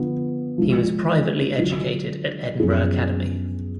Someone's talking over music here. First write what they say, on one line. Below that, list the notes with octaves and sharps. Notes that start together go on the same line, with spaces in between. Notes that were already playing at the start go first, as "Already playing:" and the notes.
He was privately educated at Edinburgh Academy.
Already playing: D3 F3 B3
F3 G#3 D4
D3 F#3 D4 F4
F#2 F3 B3 D4 G#4